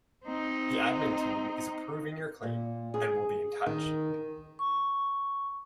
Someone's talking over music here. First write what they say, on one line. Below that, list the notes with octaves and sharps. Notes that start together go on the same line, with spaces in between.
The admin team is approving your claim and will be in touch.
C4 D#4
A#2
G#4
D#3
C#6